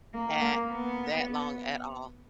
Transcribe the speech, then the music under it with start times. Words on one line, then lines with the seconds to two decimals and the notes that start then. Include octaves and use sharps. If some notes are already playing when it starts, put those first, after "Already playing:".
At that long at all.
0.14 A#3
0.41 A#3
0.70 B3